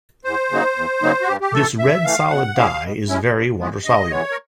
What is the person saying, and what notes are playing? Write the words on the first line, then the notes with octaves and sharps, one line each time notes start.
This red solid dye is very water-soluble.
E2 C5
C#3 F#3 A#3 D#4
E2
C#3 F#3 A#3 D#4
F#4
G2 G4
G4
E3 A3 A4
G2 E5
E3 A3 F5
B2 F#5
G#3 C#4 E4 F5
B2
G#3 C#4 E4
G2
E3 G#3 B3
G2 D#5
E3 G#3 B3 C#5
A#4